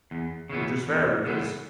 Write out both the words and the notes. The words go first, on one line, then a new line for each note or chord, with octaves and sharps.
Which is fair, because
E2
C#3 E3 B3
E2
C#3 E3 B3